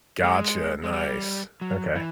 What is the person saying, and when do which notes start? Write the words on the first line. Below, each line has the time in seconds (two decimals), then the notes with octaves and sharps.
Gotcha, nice, okay.
0.24 G#3
0.84 G#3
0.92 G3
1.61 F#3
1.95 E3